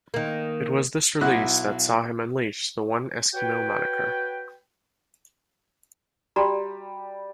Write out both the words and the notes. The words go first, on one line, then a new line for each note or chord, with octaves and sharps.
It was this release that saw him unleash the One eskimO moniker.
D#3 A#3
B1 E4 F#4 F#6
F#4 B4 C#5 G5
G3 F#4 D5 A#5